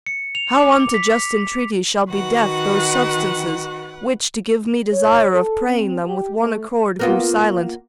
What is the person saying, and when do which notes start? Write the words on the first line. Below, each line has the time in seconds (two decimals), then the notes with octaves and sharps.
How unto just entreaties shall be deaf Those substances, which, to give me desire Of praying them, with one accord grew silent?
0.06 C#7
0.35 F7
0.54 D6
0.94 B6
2.11 D#3 F#4 B4 F#5
4.92 C#5
5.33 A4
5.67 C4
6.04 G4
6.38 A3
6.99 A#3 B3 F4